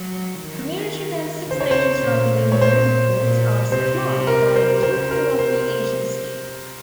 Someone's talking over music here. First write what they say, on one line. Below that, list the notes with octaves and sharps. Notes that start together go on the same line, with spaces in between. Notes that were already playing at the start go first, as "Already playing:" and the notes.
Premiership and Six Nations rugby union reports are supplied by the Talking Rugby agency.
Already playing: F#3
D#3
C#3 C5
C#5
C5
A#2
C#5
C5
A#2
C3 C5
A#4
C5
C#3 C5
A#4
C3 C5